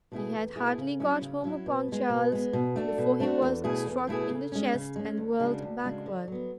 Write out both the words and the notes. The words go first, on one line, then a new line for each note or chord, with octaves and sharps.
He had hardly got home upon Charles before he was struck in the chest and whirled backward.
B2 A3 E4 G#4
E2
B2 A3 E4 G#4
C#3
F#3 C#4 E4
C#3
F#3 C#4 E4
B2
G#3 B3
B2
G#3 B3
B2
A3 D4 F#4
B2
A3 D4 F#4
E2
B2 A3 E4 G#4
E2
B2 A3 E4 G#4
C#3
G#3 C#4
C#3
G#3 C#4
D2
C#3 G#3 D4 F#4
D2
C#3 G#3 D4 F#4
D3
F#3 B3